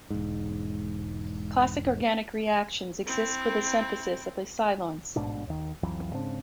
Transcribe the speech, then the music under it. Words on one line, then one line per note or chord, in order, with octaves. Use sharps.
Classic organic reactions exist for the synthesis of acyloins.
E1 G#2
C4 E4
A1 G#2 B2 D4
D#2 D#3
C2 F2 E3 F#3
G#2 C#3 C4 D4